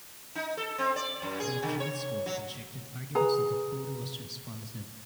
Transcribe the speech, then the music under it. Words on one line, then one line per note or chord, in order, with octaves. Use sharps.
The appeals court rejected arguments that the photo was transformative.
D#4
A4
C4
D5
F#2
G#4
D3
C#5
F#3
G#4 B4 A#5